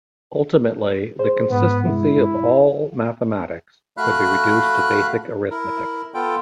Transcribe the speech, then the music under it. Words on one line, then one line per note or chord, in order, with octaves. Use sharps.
Ultimately, the consistency of all of mathematics could be reduced to basic arithmetic.
G#4 C5
G#2 B3
G2 C3 G#3 E4
A3 F#4 F5 B5 F#6
E4 A#4
B3 F4 A4 G5